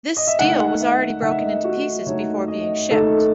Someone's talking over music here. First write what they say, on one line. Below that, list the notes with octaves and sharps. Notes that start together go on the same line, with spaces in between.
This stele was already broken into pieces before being shipped.
D#5
E5
D#3 A3 D#4 F#5
F#5
E5
D#3 A3 D#4 F#5
E5
D#5
E5
F#4
D#3 A3 D#4 C#5
D#5
D#3 A3 D#4 A4